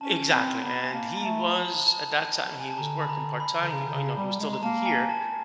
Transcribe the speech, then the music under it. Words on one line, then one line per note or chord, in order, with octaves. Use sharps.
Exactly, and he was at that time, he was working part-time. Y oh, no, he was still living here,
C#4 A5
C4 B5
B3 A#5
G#5
A#3 A5
A#3 A#5
A3
B5
A5
A#5
A5
G#5
A5
D3 A#5
B5
D3 A#5
B5
D3
C#3 A#5
D3
C#3
G3
G#3
A#5
A#3 A5
G#5
A5